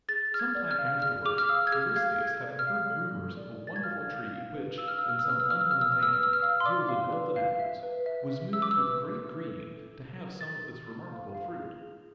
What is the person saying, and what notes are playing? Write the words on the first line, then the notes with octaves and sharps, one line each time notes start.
Sometime afterwards, Eurystheus, having heard rumors of a wonderful tree which, in some unknown land, yielded golden apples, was moved with great greed to have some of this remarkable fruit.
G#4 A6
G#4 F6
G#6
D5
F6
F5
G#4 F6
G#4 D6
F6
F5 E6
G#6
G#4 F6
F5 G#6
A4
G#6
D5
F6
F5
A4
A4
D5
D5
A6
G#6
F5 F6
F5
F5
B4
F5 E6
F6
F5 E6
F6
E6
B4
F6
E6
F5 F6
E6
F5 F6
E6
B4 F6
E6
F6
B4 E6
F6
F5 E6
C6
D5 D6
F5
B4
F5
E5
B4
E5
E5
E5 E6
D6
E6
B4
E5
B4
A4
A4
A4
A4
A4 A6
A4
A4
F5
F5
G#4
G#4